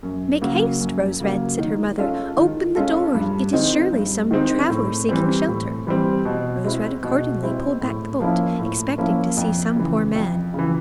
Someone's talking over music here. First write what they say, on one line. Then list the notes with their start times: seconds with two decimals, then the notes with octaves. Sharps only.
"Make haste, Rose-Red!" said her mother; "open the door; it is surely some traveller seeking shelter." Rose-Red accordingly pulled back the bolt, expecting to see some poor man.
0.03 F#2
0.42 C#3 F#3 A#3
0.81 F#2
1.20 C#3 F#3 A#3
1.59 D#3
1.98 G#3 C#4 F4 A4
2.37 D#3
2.75 G#3 C#4 F4 A4
3.15 G2
3.53 D#3 G#3 C4 D#4
3.92 G2
4.31 D#3 G#3 C4 D#4
4.70 A2
5.09 E3 G3 C4
5.48 A2
5.87 E3 G3 C4
6.25 B2
6.64 G#3 C4 E4
7.04 B2
7.42 G#3 C4 E4
7.81 A2
8.20 F3 A#3 C#4 E4
8.59 A2
8.98 F3 A#3 C#4 E4
9.37 F2
9.76 C#3 E3
10.15 F2
10.54 C#3 E3